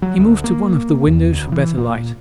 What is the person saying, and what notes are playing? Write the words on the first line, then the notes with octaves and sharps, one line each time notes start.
He moved to one of the windows for better light.
F#3
D2
A#3
E2
D2
E3
A#2